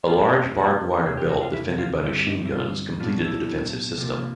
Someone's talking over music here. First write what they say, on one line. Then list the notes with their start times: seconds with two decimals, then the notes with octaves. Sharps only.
A large barbed wire belt defended by machine guns completed the defensive system.
0.07 F2 C#3 F3 A#3 D4 F4
0.18 E4
0.29 F4
0.57 F#4
1.05 F2 C3 G#4
1.17 G4
1.30 F#4
1.41 F4
1.53 E4
1.72 F#4
1.79 F4
2.03 G2 D3 G3 C4 E4
2.27 D#4
2.46 E4
2.52 F4
3.00 A#2 F#3 B3 D4 F4
3.25 E4
3.97 C3 F3 A#3